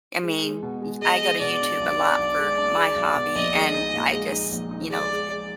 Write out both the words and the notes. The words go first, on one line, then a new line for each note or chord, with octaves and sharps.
I mean, y I go to YouTube a lot for my hobby, and I just, you know v
G#3
G#3
B2
G#3
G#3 D#5
G#3
B2 D5
D4
B1
D4
B1
G#3
D4
G#3
B1
B2
A#1 D#5
G#3
D#4
A#2
G#3
D#4
A#1
D#4
G#3 D5
G#3
G#3